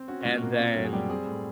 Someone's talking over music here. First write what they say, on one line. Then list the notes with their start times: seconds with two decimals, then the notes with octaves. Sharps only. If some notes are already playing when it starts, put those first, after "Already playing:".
and then
Already playing: C4
0.08 C#4 F#4
0.21 F#4
0.25 B2 F4
0.42 A#3
0.59 C4 F4
0.75 F#2 F#4
0.85 G#4
0.93 G3 G4
1.09 C4 G#4
1.26 A2